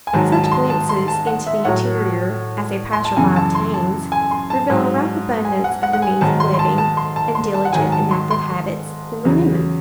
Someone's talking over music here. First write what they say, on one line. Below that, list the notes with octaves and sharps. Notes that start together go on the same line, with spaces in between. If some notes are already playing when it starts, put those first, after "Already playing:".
Such glimpses into the interior as a passer-by obtains, reveal a rough abundance of the means of living, and diligent and active habits in the women.
G#5
G#2 D#3 F#3 A5
A5
A5
C6
A5
C6
A5
F#5
E5
A2 F#3 F#5
C6
A5
F#2 C#3 E3 G#5
A5
C6
A5
G#5
C6
A5
G#2 F#3
G#5
F#5
F#5
F#5
G#5
G#2 D#3 F#3 A5
C6
C6
A5
A5
C6
A5
C6
A5
F#5
G#2 D#3 F#3 G#5
A5
C6
C6
E2 C#3 F#3